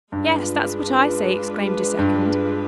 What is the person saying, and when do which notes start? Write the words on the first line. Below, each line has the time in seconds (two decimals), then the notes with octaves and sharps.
"Yes, that's what I say!" exclaimed a second.
0.12 G2 G#3 D4 F4 B4
1.99 G2